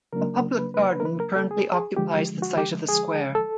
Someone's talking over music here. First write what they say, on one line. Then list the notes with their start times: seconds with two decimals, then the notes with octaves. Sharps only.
A public garden currently occupies the site of the square.
0.13 C#3 F#3 A#3 D4 A#4
0.59 B4
0.74 B4
0.90 B4
1.00 A#4
1.05 B4
1.20 A#4
1.36 A4
1.51 G#4
1.74 G#4
1.96 D3 F3 G#3 G4
2.42 F#4
2.58 G4
2.89 G#4
3.35 A4